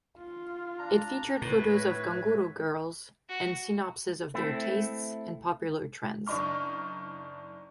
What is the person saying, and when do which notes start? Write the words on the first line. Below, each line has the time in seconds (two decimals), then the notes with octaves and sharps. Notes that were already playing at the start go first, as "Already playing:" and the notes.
It featured photos of "ganguro" girls and synopses of their tastes and popular trends.
0.18 F4
0.79 D4 A#5
1.42 A2 B4
1.73 C#5 E5
3.29 F#4
4.34 A3 C4 E4
6.26 F#1 D4 D#4 C#6 F6